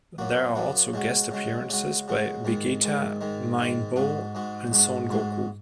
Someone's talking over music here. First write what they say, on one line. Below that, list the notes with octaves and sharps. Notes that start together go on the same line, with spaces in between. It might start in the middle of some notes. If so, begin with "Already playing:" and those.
There are also guest appearances by Vegeta, Majin Boo and Son Goku.
F#2 F#3 A#3 F#4
F#2 F#3 A#3 F#4
C#3 G#3 F#4
C#3 G#3 F#4
C#3 G#3 F#4
C#3 G#3 F#4
G#2 D#3 G#3
G#2 D#3 G#3
G#2 D#3 G#3
G#2 D#3 G#3
G#2 G#3 F#4
G#2 G#3 F#4
G#2 G#3 F#4
G#2 G#3 F#4